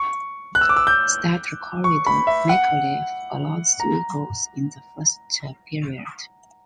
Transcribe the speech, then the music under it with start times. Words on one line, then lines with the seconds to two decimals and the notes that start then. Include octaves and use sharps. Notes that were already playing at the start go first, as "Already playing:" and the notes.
Starter Corrado Micalef allowed three goals in the first period.
Already playing: C#6
0.55 F#6
0.61 E6
0.69 D6
0.77 E6
0.87 G6
1.84 C#6
2.07 B5
2.27 E5
2.49 F#5
3.80 A#5